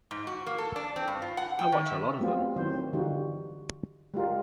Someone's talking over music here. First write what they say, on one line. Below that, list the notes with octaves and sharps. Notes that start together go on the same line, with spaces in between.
I watch a lot of them.
G#2
F#4
A#3
A4
D4
C4
G2
F4
F#5
G5
D#3
E5
F#3 G3 A3 B3 C4 F4
D#3 F#3 C4 E4 C5
D3 E3 G3 D#4 F4 F#4
G3 G#3 F4 A#4